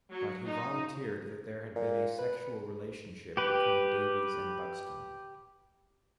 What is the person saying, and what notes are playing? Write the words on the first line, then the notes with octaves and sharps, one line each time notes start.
But he volunteered that there had been a sexual relationship between Davies and Buxton.
F#3
D#4
A#2
B4
G4 B4